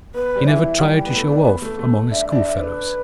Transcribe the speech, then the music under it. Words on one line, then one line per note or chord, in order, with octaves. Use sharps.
He never tried to show off among his schoolfellows.
B3 B4
G3
E3 E5
G3 G5
G5
B3
A3
D5
B3
A3
A3
D4 E5
D4 E5
E5
D4
B4